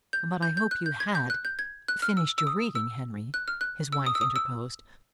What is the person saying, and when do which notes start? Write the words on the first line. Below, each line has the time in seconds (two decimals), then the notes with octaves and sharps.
"But I hope you HAD finished your reading, Henry?" his wife interposed.
0.13 G6
0.43 G6
0.57 G6
0.71 F#6
0.86 G6
1.00 G#6
1.15 G6
1.30 F#6
1.45 G6
1.59 G#6
1.88 F#6
2.02 F6
2.17 E6
2.38 E6
2.47 D#6
2.75 E6
3.34 F#6
3.48 F6
3.61 F#6
3.92 E6
4.06 D#6
4.15 E6
4.21 D#6
4.36 E6